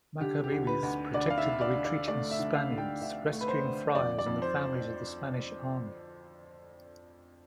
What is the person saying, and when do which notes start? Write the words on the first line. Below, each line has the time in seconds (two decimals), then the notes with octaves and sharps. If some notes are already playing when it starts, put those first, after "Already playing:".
Macabebes protected the retreating Spaniards, rescuing friars and the families of the Spanish Army.
0.20 D3 G4
0.44 G4
0.52 D2
0.67 B4
0.83 D2
1.14 D2 D5
1.30 F5
1.38 E5
1.45 D3
1.61 D5
1.77 D3
1.85 D5
2.08 A3 D5
2.31 E5
2.39 D3
2.55 F5
2.70 D2
2.78 G5
3.01 D2 E5
3.33 A3
3.41 B4
3.48 C5
3.64 D2
3.95 F2 D5
4.19 D5
4.26 F2
4.42 C5